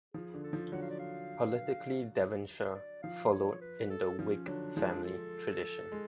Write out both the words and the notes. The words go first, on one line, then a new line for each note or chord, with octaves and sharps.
Politically Devonshire followed in the Whig family tradition.
F3 G#4
D3
A4
F3
D3 F#3 F#5
F5
D5
F5
D5
F3 F5
C#5
B4
A4
F3 C#4
D3 F#3 D4
F3 G#3 D4
A4
G#3